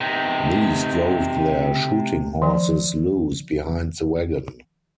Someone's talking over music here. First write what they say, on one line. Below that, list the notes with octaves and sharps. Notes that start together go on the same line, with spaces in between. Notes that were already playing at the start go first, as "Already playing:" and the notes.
These drove their shooting-horses loose behind the wagon.
C3 D#4
D#3 F3